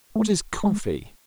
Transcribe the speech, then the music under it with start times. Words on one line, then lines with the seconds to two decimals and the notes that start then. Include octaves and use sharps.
What is Coffee?
0.16 A3
0.63 G#3